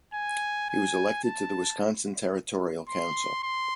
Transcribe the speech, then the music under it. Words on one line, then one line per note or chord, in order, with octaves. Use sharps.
He was elected to the Wisconsin Territorial Council.
G#5
G#5
A5
C6
C6